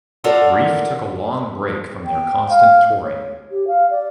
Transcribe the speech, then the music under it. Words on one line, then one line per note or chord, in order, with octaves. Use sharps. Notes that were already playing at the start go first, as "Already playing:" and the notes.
Reef took a long break from their constant touring.
F4 A4 A#4 C#5 D5 F#5
G5
F5
C#5
G4
F5
D5